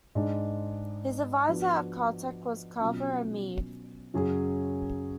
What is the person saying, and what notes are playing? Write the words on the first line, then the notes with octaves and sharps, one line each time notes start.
His adviser at Caltech was Carver A. Mead.
G#2 G#3 D4
F3 B3 D4 F#4
B2 F#3 C#4 F4
F#2 C#3 F#3 C#4 G#4